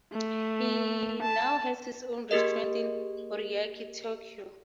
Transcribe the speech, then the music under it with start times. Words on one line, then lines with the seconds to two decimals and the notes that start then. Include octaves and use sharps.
He now has his own restaurant in Ariake, Tokyo.
0.13 A3
1.22 A5
2.31 A#3 G4 G#4 A#4 D#5